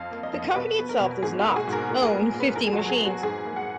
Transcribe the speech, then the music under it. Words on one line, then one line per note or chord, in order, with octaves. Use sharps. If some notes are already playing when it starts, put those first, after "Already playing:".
The company itself does "not" own fifty machines.
Already playing: F2 F5
A#3
D#5
F2
B2 B4
B3
A#4
B2
G#2 G#4
F#4
A#3
G#4
G#2
A#4
A#2 A#4
G#4
A#4
B3
A#2
B4
F2 A#4
G#4
F#4
F#3
G#4
B3
F#4
G#2 G#4
A#3
F#5